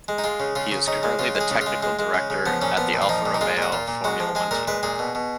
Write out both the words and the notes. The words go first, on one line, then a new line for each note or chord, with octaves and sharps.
He is currently the technical director at the Alfa Romeo Formula One team.
G#3
D#4
G#3 F4
C#3
C#3 F4
C#3
C#3 D#4
G#3
C#3 F4
G#3
G#4
C#3
F4
G#3
G#3
G#3
C#3
C#3
F3 B3
A#2 C#4
F3 B3
A#2
F4
F3 D#4
A#2
D#4
G#3 F4
A#2
F#4
A#2 F4
A#2
G#3 F#4
F3
G#3 G#4
A#2 A#4
G#3 B4
A#2 G#4
B2
B2